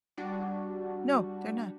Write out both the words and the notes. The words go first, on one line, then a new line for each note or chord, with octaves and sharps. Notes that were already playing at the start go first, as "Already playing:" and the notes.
No, they're not.
G3 D4 F#4